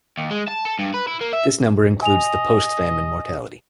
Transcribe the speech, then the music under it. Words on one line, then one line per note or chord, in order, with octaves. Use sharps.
This number includes the post-famine mortality.
D#2
G#3
A5
A4
G2
B4
E4
A#3
E5
D#5 G#5 F7